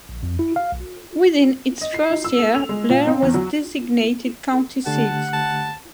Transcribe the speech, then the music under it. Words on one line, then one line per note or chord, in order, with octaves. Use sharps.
Within its first year, Blair was designated county seat.
A#1
F2
E4
F5
B1
D#5
C7
D#4
E6
A4
F7
G#3
A#2
C4
E2
F#3
D3 A3 G4 F#5 A5
A5